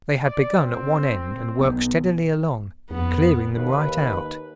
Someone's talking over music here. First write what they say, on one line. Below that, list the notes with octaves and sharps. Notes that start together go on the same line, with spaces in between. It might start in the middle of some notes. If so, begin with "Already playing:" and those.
They had begun at one end and worked steadily along, clearing them right out.
D5
C4
B1 B3
F2 B3
D#2 B4